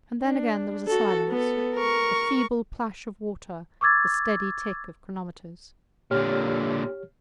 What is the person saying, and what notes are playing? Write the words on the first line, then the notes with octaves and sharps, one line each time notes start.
And then again there was a silence, the feeble plash of water, the steady tick of chronometers.
D4
F#4 A4
B3 A4
A#4 C#6
C#6 D6 E6 G#6 A6
A#2 D3 G4 C#5 F6